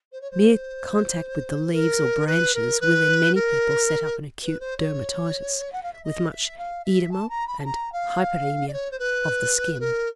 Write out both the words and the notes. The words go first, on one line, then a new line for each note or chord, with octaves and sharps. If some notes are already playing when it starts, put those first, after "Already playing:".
Mere contact with the leaves or branches will in many people set up an acute dermatitis, with much oedema and hyperaemia of the skin.
C5
C#5
C5
A#4
B4
A#4
B4
A#4
B4
C5
C#5
F#5
F5
E5
D#5
E5
F5
E5
A5
A#5
B5
A5
A#5
F5
D5
C#5
C5
B4
A#4